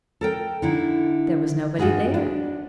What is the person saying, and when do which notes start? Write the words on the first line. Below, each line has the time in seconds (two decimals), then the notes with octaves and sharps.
There was nobody there.
0.21 A4 A#4 G5
0.62 D3 D#4 E4
1.79 G2 F4 F#4 G#4 B4
2.14 D4